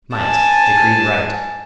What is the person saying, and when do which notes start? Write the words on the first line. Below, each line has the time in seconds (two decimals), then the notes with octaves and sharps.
Might decreed right.
0.17 G#5 A5